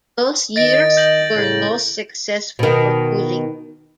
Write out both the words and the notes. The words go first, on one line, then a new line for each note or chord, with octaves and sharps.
Those years were most successful for Kulig.
D#3 D#5 A6 A#6 D7
G6 A#6 F#7
A2 C#3
B2 D#3